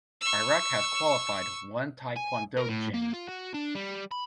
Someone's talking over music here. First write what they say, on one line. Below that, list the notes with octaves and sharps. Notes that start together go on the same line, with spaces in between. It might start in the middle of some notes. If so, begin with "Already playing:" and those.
Iraq has qualified one taekwondo jin.
C#6 E6
G#5
A#4
A2
A#3
F4
F#4
D4
G3
B5